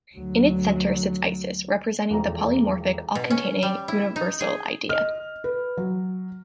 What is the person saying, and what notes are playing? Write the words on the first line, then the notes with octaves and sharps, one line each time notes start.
In its centre sits Isis representing the polymorphic all-containing Universal Idea.
D2 F#3
E1 F2 A#5
B2
C#4
G3
E4
D#4
G#4
D#5 F6
B4
F#3